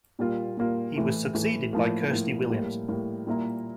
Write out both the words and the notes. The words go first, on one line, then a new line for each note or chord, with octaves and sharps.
He was succeeded by Kirsty Williams.
A#2 G3 A#3 F4
A#2 G3 A#3 F4
A2 E3 A3
A2 E3 A3
A2 F3 A#3
A2 F3 A#3
A2 G3 A#3
A2 G3 A#3
A#2 G3 A#3 E4 A#4